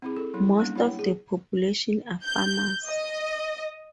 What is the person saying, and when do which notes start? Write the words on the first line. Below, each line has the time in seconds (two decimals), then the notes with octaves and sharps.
Most of the population are farmers.
0.02 C4 E4 G#4
0.16 A4
0.34 F#3 B3 E4
0.58 G3 A#3 B3 C#4 D4
0.76 E4 G4 C#5 F#5 G5
0.99 G#4
2.26 G6
2.88 D#5